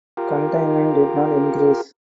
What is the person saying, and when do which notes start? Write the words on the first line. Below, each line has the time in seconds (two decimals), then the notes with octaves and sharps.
Containment did not increase.
0.17 F4 G4 A#4